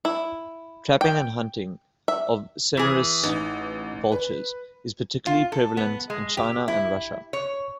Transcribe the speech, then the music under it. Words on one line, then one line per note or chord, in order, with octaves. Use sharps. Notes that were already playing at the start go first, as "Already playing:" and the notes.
Trapping and hunting of cinereous vultures is particularly prevalent in China and Russia.
E4
G5
E5
E3 G#4
A1 D#4
B4
F4
A4
B3
G#3
G4
E4
C#5